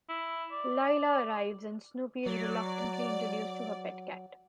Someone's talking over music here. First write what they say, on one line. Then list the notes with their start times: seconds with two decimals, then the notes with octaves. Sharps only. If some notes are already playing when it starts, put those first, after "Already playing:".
Lila arrives and Snoopy is reluctantly introduced to her pet cat.
0.09 E4
0.52 D5
2.26 F#3 D5